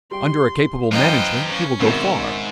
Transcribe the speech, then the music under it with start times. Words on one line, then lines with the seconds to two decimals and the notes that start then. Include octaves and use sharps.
Under a capable management he will go far.
0.11 G3 G5 C6
0.92 F#2 E3 B4 C5 D#5 F5 G5 A#5
1.49 C#4
1.80 G#2 B2 D#3 C4 A#4 E5